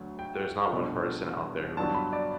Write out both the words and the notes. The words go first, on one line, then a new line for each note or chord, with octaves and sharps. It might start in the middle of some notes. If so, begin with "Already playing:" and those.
there's not one person out there who
Already playing: D2 D3 F#3
G5
C2 B2 A3 D4
G2 D3 F#3 B3 D4 A5
B5
D5